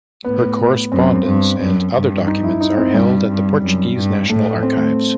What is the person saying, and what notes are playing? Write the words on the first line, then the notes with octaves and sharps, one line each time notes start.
Her correspondence and other documents are held at the Portuguese national archives.
A2 B3
F#2 C4
G2
F#2
G2
D#4
E4
D#4
C4
G2 G3
G2
F#2
G2
A2 A3
C4